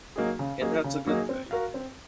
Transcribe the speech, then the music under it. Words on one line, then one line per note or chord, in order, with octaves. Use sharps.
And that's a good thing.
F#3 A#3 D#4 G#4
C#3
F#3 A#3 D#4 G#4
C#3
F#3 A#3 D#4 G#4
C4
F#4 A#4 F5
C4